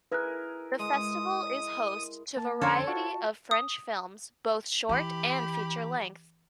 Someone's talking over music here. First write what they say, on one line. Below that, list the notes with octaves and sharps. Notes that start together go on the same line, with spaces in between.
The festival is host to a variety of French films, both short and feature-length.
E4 G#4 A#4 B4 F#6
G#3 D#6
A#3 A5
F2 D3 C#4 A4 C5 C#5 C6
F4 F#4 A5 C#6
D#6
E3 G4 B5